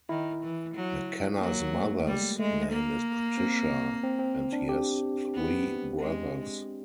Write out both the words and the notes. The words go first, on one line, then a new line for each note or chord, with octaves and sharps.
McKenna's mother's name is Patricia, and he has three brothers.
D#3 E4
E3
F#3
F#3 A#3
A3
G3 G#3
G#3 A3
A#3
C4
C4
C4
D4
G4
B3
G#3